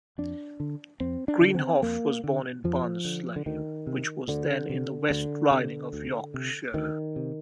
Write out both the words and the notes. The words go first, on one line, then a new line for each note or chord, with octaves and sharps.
Greenhoff was born in Barnsley, which was then in the West Riding of Yorkshire.
F2 D4
D3
F2 C4
D4
D3
C4
F2 A#3
D3
F2 F3
D3
D3
D2 D#3
C3
D2 D3
C3
D2 D3
C3
D2
C3
D2 D#3
C3